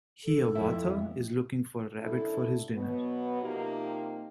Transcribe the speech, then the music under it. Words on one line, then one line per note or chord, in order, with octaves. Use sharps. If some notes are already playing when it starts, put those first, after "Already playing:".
Hiawatha is looking for a rabbit for his dinner.
A4
F2 F3 E4
F#2 D3 D4 E4 A4
B2 F#3 B3
C3 F3 A#3 D#4 G4